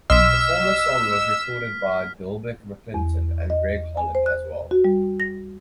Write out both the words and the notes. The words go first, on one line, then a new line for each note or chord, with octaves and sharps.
The former song was recorded by Delbert McClinton and Greg Holland as well.
B1 D#5 C6 E6 F6 B6
E2
D#5
G#5
C5
F#6
F#4
G3
A#6